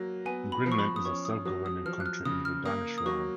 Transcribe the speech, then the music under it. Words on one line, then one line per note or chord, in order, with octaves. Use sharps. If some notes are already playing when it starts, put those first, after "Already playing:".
Greenland is a self-governing country in the Danish Realm.
Already playing: F#3 A#3
B3 G#5
B5
F3
C#6
B5
D#6
C#4 C#6
D#6
F#3 D#6
D#6
F3 F6
F#6
F6
C#3 D#6
F6
A#3 D#6
D#6
F#3 C#6